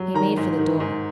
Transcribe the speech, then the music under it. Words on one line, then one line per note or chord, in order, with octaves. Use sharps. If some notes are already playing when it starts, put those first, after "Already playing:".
He made for the door.
Already playing: F#3
D#3 A#5
G#2
D#3
G#2